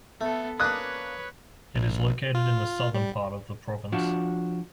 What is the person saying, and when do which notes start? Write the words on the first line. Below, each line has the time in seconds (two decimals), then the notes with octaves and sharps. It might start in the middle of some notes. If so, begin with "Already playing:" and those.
It is located in the southern part of the province.
0.21 A3 B3 A4
0.60 A#3 C#4 D4 B4 C#5 D#6 F#6
1.75 A#1
2.35 F4
2.95 G3
3.92 F3 D4 F#4